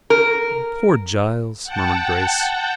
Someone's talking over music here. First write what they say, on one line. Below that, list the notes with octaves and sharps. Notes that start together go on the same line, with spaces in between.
"Poor Giles!" murmured Grace.
A#4
F#5 G5 A5